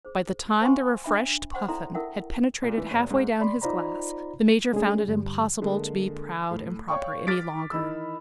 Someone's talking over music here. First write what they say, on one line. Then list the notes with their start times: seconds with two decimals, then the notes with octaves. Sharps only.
By the time the refreshed Puffin had penetrated half-way down his glass, the Major found it impossible to be proud and proper any longer.
0.05 G#4 C5
0.61 C5 F5 G5 G#5 C6 C#6
1.04 D4 E5 B5
1.51 C5 F#5 G5 C6 C#6
1.68 E4 A4 D5 E5 A#5 C6
1.94 E4 A4 A#4 E5 F#5 G5
2.63 A#2
2.78 E3
2.91 F1
3.11 G#2
3.40 D5 B5 C6
3.62 D#4 F4 C5 D5 A#5 B5
4.73 G#3 A3 C#4 D4 G#4
5.08 G2 D3 G3
5.62 D3 G#3 A#3
6.50 A2
6.88 C#5 D5 F5 G5 C#6
7.27 D6 F6 A6 B6 D7
7.72 D#3 E3 D#4 B5 E6